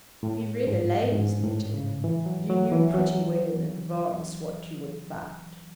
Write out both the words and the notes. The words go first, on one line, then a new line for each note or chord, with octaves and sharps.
If you read a lady's letter you knew pretty well in advance what you would find.
A2
G#2
G#2
A2
C#3
E3
F#3
F#3
E3
F#3